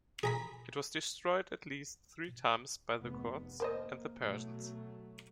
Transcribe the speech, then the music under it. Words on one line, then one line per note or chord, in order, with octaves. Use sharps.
It was destroyed at least three times by the Kurds and the Persians.
G#4 A#5 B5
F1 G#2 B3
A#3 A#4 C5 D#5
B2 F#3 A3